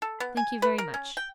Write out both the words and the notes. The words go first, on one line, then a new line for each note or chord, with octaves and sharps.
'Thank you very much.'
A4
B3
G#5
B4
A#4
C#4
G5